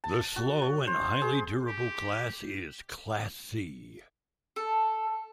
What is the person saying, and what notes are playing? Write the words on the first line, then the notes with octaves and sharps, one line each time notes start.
The slow, and highly durable class is "Class C".
A5
F#4
C#5
C5
G#4
G4
A4